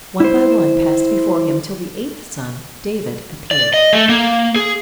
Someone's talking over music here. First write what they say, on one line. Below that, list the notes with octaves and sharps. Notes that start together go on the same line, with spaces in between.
One by one passed before him till the eighth son, David, appeared.
E4 C5
D5
D#5
A3
A#3
G#4